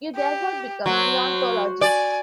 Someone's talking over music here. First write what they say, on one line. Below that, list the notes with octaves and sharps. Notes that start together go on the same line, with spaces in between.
You therefore become neontologists.
G4
F#3 C5
D5 G#5